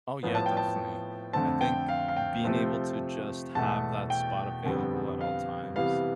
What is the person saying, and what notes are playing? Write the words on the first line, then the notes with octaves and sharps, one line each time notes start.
Oh yeah, definitely, I think being able to just have that spot available at all times
A2 F3 B3
A5
G5
A5
F2 D3 A3 C4 A5
G5
F5
F5
G5
C3 F3 A3 C4
E2 B2 A3 A5
G5
F2 D3 G3 B3
F5
C3 E3 G3 B3 F5